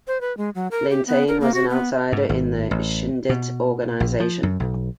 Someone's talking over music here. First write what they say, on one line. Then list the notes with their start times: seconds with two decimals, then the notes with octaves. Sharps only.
Lentaigne was an outsider in the Chindit organization.
0.07 C5
0.21 B4
0.37 G#3
0.55 F#3
0.71 A#4
0.90 G4
1.07 B3
1.28 A#4
1.40 A#3
1.54 F#4
1.70 B3
2.12 G#2
2.29 G#1
2.71 A1
3.30 B2
4.00 A#1
4.20 F3
4.43 F#2
4.60 B1